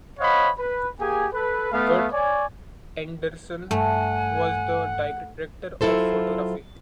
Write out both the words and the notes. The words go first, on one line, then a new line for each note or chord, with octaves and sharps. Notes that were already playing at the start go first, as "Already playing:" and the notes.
Gert Andersen was the director of photography.
C5 C#5 D#5 F5 F#5 B5
B4
A#3 G4 G#4 G#5
A4 B4
A3 B3 F5
C#5 D5 G#5
G2 A3 F#5 G#5
F#3 E4 F4 A4 C5